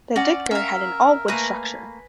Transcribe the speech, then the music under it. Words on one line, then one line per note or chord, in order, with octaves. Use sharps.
The Duiker had an all-wood structure.
C#4 D5 F#5 A#5
C#4 A#4 E5 F5
A3 A#3 B4 G#5 A#5